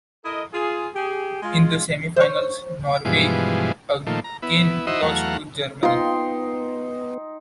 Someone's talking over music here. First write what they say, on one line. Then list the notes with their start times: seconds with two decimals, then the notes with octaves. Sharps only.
In the semi-finals, Norway again lost to Germany.
0.24 E4 A4 A#4 D#5
0.53 F4 G#4
0.95 G4 G#4
1.42 G#3 F4
2.16 C5 C#5
3.05 G2 B2 E3 F3 G#3
4.07 A#2 D#3 F3 A3
4.24 A#5
4.42 B3 E4
4.87 D#4 E4 F#4 C5 D#5 E5
5.02 E2 F#3 A3 F5 F#5 A#5
5.83 B3 D#4 F4 G5 C6